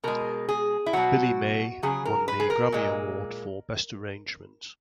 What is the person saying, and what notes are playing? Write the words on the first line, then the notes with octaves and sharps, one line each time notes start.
Billy May won the Grammy Award for Best Arrangement.
B2 G#3 A#4
G#4
E4
B2 F#3 F#4
C#3 F#3 G#4
A#4
B4
G#4
A#4
A#2 G#3